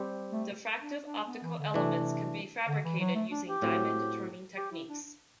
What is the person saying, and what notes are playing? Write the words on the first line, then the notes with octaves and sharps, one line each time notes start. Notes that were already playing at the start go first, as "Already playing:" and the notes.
Diffractive optical elements can be fabricated using diamond turning techniques.
Already playing: G3 C4 G4
A3
D4
D4
B3
E3
D3
C3 E3 A3 D4
D3
E3
F#3
A3
D4
G4
A2 F#3 C4 F#4
G4
E4
D4